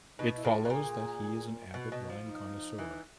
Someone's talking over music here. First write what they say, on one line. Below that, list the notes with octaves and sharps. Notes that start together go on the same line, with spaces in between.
It follows that he is an avid wine connoisseur.
B2 D#4
E4
A2
F4
B2
A#2 G#4
B2 F#4
B2
F3
E4
D#4
E3